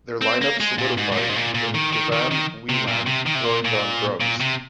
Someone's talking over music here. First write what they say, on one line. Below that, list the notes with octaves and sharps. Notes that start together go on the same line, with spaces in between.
Their line-up solidified when Gavan Whelan joined on drums.
C4
A#3
G#3
A#2
G#2
G#2
A#2
G#2
A#2
A#2
D#3
D#3
D#3
D#3
C3
A#2
C3
D#3
C3
A#2
A#2
A#2
C3